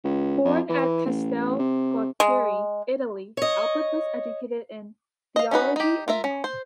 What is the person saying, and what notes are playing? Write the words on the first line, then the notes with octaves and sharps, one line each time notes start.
Born at Castel Gualtieri, Italy, Albert was educated in theology and law.
C#2
F2
E3
A1
C3
G#3
C#5 D#5
D#5 F5
C#4 D#4 F#4 B4
D#4 G4
F4 A#4 E5
C#4
C5